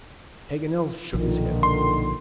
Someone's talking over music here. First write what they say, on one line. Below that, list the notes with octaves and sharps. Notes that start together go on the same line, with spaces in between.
Paganel shook his head.
B1 A#2 D3 D#3 F3
C6